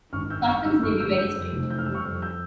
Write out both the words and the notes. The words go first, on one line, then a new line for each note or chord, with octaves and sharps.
Customs may be very strict.
G#1 C#6 F6
G2 E6 G6
G#1 C#6 F6
G3 E6 G6
G#1 C#6 F6
G2 E6 G6
G3 E6 G6
F2
F1
E3 G6
F6
G3 E6
C#6 F6
F2
E6 G6